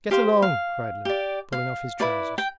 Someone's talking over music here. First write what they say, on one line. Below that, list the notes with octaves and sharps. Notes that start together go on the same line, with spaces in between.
'Get along,' cried Luke, pulling off his trousers.
G4 C5 F5
F5
G4 D5
F5
E4 B4 D5
G5